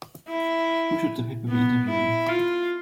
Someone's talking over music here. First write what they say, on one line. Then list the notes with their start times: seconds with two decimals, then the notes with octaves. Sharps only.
Who should the paper be interviewing?
0.28 E4
1.48 B3
1.89 E4
2.28 F4